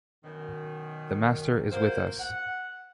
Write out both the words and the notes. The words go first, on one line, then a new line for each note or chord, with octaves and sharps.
The Master is with us.
F#2 B2 D#3
F#3 A#3 F4 C5
F#5